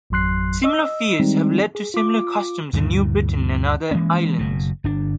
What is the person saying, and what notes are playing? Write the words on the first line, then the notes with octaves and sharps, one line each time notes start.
Similar fears have led to similar customs in New Britain and other islands.
G#1 F2 F#3 C6 F#6 C7
D#5 E6
D#3 G3 G#3 C4 D#4
G#4
F4 D6
D2 G2 A#2 E3
E3 G#3 A#3 C#4
F#1 B2
G1 D4